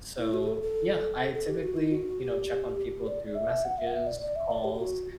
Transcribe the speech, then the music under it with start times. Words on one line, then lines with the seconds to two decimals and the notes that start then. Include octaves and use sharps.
So yeah, I typically, you know, check on people through messages, calls
0.19 E4
0.34 F#4
0.43 G4
0.47 A4
0.62 A4
1.34 A4
1.49 G4
1.63 F#4
1.77 E4
1.91 F#4
2.20 G4
3.07 D5
3.35 E5
3.64 F#5
3.78 E5
3.87 F#5
3.92 E5
4.07 D5
4.21 D5
4.36 E5
4.51 D5
4.64 G4
4.74 G4
4.79 F#4